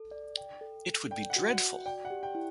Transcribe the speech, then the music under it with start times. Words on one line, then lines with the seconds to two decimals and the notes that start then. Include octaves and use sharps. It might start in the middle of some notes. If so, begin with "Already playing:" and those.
It would be dreadful!
Already playing: A4
0.11 D5
0.37 G5
0.61 A4
0.86 A4
1.11 D5 G5
1.30 F#5
1.36 F#4
1.49 F#5
1.62 F#4
1.86 D5 G5
2.05 F#5
2.10 G4
2.23 G5
2.35 E4